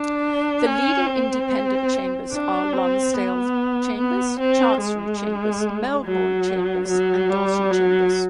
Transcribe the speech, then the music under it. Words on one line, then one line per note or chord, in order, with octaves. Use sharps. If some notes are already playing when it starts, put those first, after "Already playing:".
The leading independent chambers are Lonsdale Chambers, Chancery Chambers, Melbourne Chambers and Dawson Chambers.
Already playing: D4
C#4
C4
D4
C4
B3
B3
C4
G#3
F#3
F#3
G3
F#3